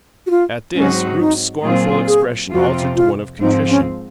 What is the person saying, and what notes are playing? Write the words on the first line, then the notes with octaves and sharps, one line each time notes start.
At this Rupe's scornful expression altered to one of contrition.
F#4
F4
G#2 F#3 C4 C#4 D#4 F#4
D#4
A#2 F#3 C4 F4 G#4
G#4
F2 C3 F3 C4 F4 F#4
F4
G#2 F3 C4 D#4
C#4